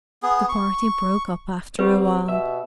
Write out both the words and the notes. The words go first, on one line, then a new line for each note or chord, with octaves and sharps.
The party broke up after a while.
B3 G#4
C#6
B3 C4 G4 B4
B2 E5